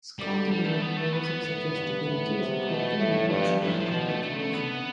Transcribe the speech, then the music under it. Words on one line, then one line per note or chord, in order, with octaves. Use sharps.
Scott developed laws of suggestibility as a critical mechanism of advertising.
D3 G3
G3
A3
B3
A3
B3
A2 B3
G2
A2
C3
B2 A3
A2
G2 A3
B3
A2 E3
F3
F3
B2 F3
A3
D3 A3
A3
B3